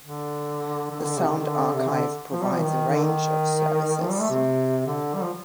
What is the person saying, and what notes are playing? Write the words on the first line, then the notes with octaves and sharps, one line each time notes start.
The Sound Archive provides a range of services.
D3
D3
D#3
D3
C3
D3
D#3
D3
C3
D3
F3
G3
F3
D#3
D#3
D3
D#3
F3
G3
A3
C3
D3
G3
F3